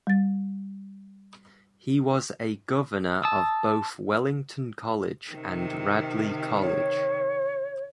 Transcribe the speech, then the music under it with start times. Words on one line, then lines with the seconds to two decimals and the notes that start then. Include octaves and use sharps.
He was a governor of both Wellington College and Radley College.
0.07 G3 A6
3.24 A5 D#6 E6
5.30 C3 D#3
6.61 C#5